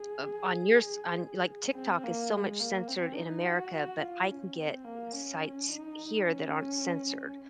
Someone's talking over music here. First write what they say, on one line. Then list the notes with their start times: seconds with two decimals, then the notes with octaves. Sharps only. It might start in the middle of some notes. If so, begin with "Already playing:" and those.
Of on yours on, like, TikTok is so much censored in America, but I can get sites here that aren't censored.
Already playing: G#4
1.75 C4
2.04 A#3
2.31 G#3
2.60 A#3
2.88 C4
3.15 D#4
3.44 F#4
4.00 F4
4.28 C#4
4.56 C4
4.85 A#3
5.12 C#4
5.69 D#4
6.25 C#4